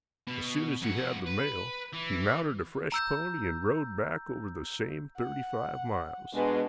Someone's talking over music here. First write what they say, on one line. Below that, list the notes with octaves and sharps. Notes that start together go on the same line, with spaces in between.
As soon as he had the mail he mounted a fresh pony and rode back over the same thirty-five miles.
B2
F2 F#5
B4
E3
A#5 E6 G6
F#5
B2 G#3 B3 D4